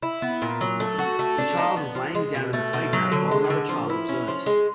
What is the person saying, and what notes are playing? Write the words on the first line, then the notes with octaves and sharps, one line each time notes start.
A child is laying down in a playground, while another child observes.
E4
B3
A#2
F#3
A3
F#4
A3
D4
D#4
B3
F3
G#3
B2
A3
B2
F#3
D3
G#3
D3
F3
E4
C#4
F3
G#3